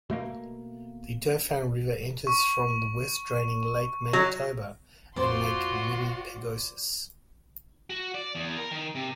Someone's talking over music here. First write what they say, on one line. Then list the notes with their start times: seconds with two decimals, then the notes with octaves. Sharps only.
The Dauphin River enters from the west draining Lake Manitoba and Lake Winnipegosis.
0.10 B2 A3 A#3
2.27 C#6
4.13 F#3
5.16 F2 A#2 F4 F#4 C5 D5 F#5 C6
7.90 F#4
8.15 D5
8.35 E2
8.57 A#4
8.71 D#3
8.95 C3